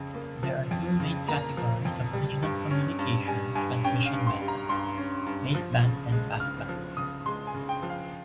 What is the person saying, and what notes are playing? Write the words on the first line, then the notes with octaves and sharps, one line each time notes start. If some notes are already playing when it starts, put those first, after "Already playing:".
There are two main categories of digital communication transmission methods: baseband and passband.
Already playing: F2 C#3
A#3
F3
F2
C#3
A#3 A#5
F3
F2
G3
G2
C#4
G2
G3 G#5
G2 G#5
C#4 G5
F5
G2
C6
G3
A#5
G2 C6
C#4
G2
F3
C#3
G#3
C#3 F6
F3
C#3 D#6
G#3 C6
G#5
C#3
G5
F3
F5